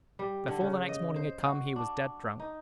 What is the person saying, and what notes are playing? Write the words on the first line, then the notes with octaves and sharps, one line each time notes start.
Before the next morning had come he was dead drunk!
G3
D3
C#3
D#5
C5
F#4
D4
D#4